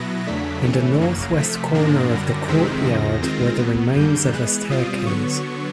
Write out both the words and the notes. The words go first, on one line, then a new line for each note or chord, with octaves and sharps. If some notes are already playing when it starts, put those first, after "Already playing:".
In the north-west corner of the courtyard were the remains of a staircase.
Already playing: B2 F#3 B3 E4 A#6
E2 C#3 F#3 A3 D4 B6
A2 E3 A3 C#4
F#2 C#3 F#3 A#3 A#6
C3 F3 A3 B6
G#2 F3 A#3 D4 A#6
F#2 D3 G3 A#6
F2 C3 D#3 G#3 C4 B6
E2 C#3 F3 A#6
D#3 G#3 C4 F4
B2 F#3 B3
F#2 D3 G3 A#3 G6
E3 G#3 B3 F#6
B2 G3 C4 F4 D#6
D3 F#3 B3 C#6